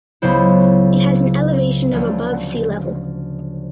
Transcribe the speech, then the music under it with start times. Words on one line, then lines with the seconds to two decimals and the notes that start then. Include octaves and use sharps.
It has an elevation of above sea level.
0.22 C#2 C#3 F#3 B3 E4 C5
1.91 D2 C#3 F3 A3 C#4